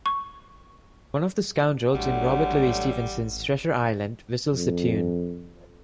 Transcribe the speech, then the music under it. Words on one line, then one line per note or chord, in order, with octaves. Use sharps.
One of the scoundrels in Robert Louis Stevenson's "Treasure Island" whistles the tune.
C#6
A1 D3 F#3 G3 A3 F#5
F2